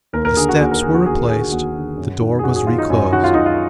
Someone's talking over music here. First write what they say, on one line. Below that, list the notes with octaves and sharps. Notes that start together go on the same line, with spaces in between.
The steps were replaced, the door was reclosed.
D#2 A#4
A#4
D3 G#4
F#4
D#2 G#4
A#4
D3 G#4
F#4
D#2 G#4
A#4
D3 G#4
F#4
D#2 F#4
D3
F#2
D#3
G#4
F#2 F#4
G#4
D#3 F4
D#4
F#2
D#3 F#4
F4
F#2 D#4
F4